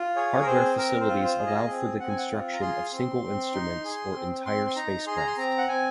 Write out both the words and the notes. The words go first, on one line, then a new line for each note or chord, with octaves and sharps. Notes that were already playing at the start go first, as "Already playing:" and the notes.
Hardware facilities allow for the construction of single instruments or entire spacecraft.
Already playing: F4
G#4 C#5
A#4
C4 C5
C4 A#4
C5
F4
C5
G#4
D#5
C4
C4 F#5
G#5
F#5
F4
A#5
G#4 C6
C4
C4
D#4
G#4
C4
C4 C6
C6
D#4 A#5
G#4 C6
A#5
C6
C4 A#5
F#5
C4 G#5